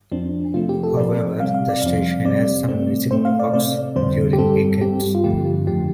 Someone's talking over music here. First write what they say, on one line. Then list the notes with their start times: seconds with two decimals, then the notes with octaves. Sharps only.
However, the station has some music blocks, during weekends.
0.12 F2 F3 C4 D4
0.54 C3 F3 A3 C4 F4
0.69 G4
0.83 A4
0.97 A2 F3 C4 D5
1.40 C3 G3 C4 F5
1.55 F5
1.69 D5
1.82 F2 F3 C4 F5
2.25 C3 G3 C4 D5
2.68 A2 A3 C4
3.11 A2 A3 C4 C5
3.25 F5
3.40 D5
3.53 C3 A3 C4 D5
3.96 F2 D3 G3 C4 C5
4.33 G4
4.38 G2 G3 C4 A4
4.81 G2 G3 C4 G4
5.15 F4
5.24 G2 D3 F3 A3 G4
5.67 F2 D3 F3 G4